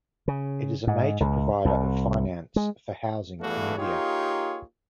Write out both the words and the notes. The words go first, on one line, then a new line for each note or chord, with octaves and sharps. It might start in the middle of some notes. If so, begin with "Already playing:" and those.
It is a major provider of finance for housing in India.
C#3
G#2
C#2
C2
G#3
E2 G2 E3 A3 F#4 F5
A#3 D#4 F4 G4 G#4 C#5